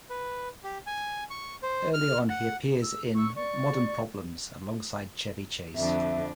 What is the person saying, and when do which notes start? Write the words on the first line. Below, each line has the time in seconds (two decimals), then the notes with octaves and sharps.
Early on, he appeared in "Modern Problems" alongside Chevy Chase.
0.10 B4
0.64 G4
0.87 G#5
1.30 C#6
1.63 C5
1.94 F6
2.30 F#5
2.82 E6
3.15 C#6 E6
3.36 D5 C#6
5.76 F2 D3 D4 E5